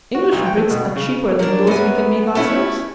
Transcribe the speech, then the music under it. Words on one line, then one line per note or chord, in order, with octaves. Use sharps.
English bricks are cheaper than those we can make ourselves.
F#4
B1
G5
A3
B2
C#3
C#3
F#3 D4 A#4
F#2 B3 G#5
A3 C#4 E4